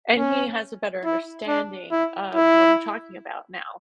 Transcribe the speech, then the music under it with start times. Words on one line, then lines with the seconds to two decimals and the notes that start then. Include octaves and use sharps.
and he has a better understanding of what I'm talking about now.
0.17 C#4
1.05 E4
1.47 D4
1.91 E4
2.35 E4